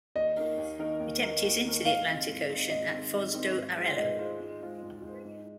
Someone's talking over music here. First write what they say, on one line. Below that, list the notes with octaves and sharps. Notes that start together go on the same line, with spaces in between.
It empties into the Atlantic Ocean at Foz do Arelho.
D#2 D#5
D#3 A#3 D#4 A#4
D#2
D#3 A#3 D#4 A#4
D#2
D#3 A#3 D#4 A#4
D#2
D#3 A#3 D#4 A#4
G#2 F5
D#3 C4 D#4
G#2
D#3 C4 D#4
G#2 D#5
D#3 C4 D#4
G#2
D#3 C4 D#4
G#2
G#3 F4 C5
G#2 D#5
G#3 F4 C5
G#2
G#3 F4 C5
G#2
G#3 F4 C5
G#2